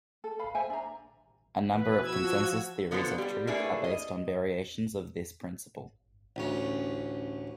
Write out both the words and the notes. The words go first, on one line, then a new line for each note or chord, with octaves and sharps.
A number of consensus theories of truth are based on variations of this principle.
A4
B4 F5 B5
C5 E5 G5 G#5
D4 A#5
B2 E3 B4
F3 F#4 E6 G#6
D3 B3 F4 A4 C5
G3 G4
A3 A#3 D4 E4 G#4 B4
D#5
A1 D2 C#4